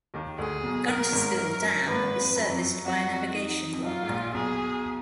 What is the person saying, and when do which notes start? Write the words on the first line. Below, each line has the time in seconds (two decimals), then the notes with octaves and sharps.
Guntersville Dam is serviced by a navigation lock.
0.14 D#2 D#3
0.38 D2 D3 G#4
0.63 B1 B2
0.88 B1 B2 A#4
1.13 G#1 G#2
1.38 F#2
1.62 F#2
1.86 G#1 G#2 B4
2.03 G#1 G#2
2.20 F2
2.36 F#2
2.50 F2
2.61 F#2
2.85 F2 F#4
3.08 F2
3.35 D#4
3.73 F2
3.84 F#2 F4
4.03 G#2
4.09 A#1 A#2
4.34 B1 B2 G#4